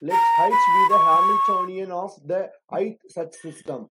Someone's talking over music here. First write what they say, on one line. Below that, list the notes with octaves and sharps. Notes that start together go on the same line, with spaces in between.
Let "H" be the Hamiltonian of the "i"th such system.
A#5
B5
C#6